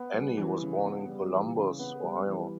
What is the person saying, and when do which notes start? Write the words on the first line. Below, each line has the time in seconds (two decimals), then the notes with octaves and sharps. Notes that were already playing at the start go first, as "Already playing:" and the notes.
Annie was born in Columbus, Ohio.
Already playing: B3
0.14 G3
0.37 E3
0.61 C#3
0.84 B3
1.08 G3
1.32 E3
1.56 C#3
1.79 B3
2.03 G3
2.26 E3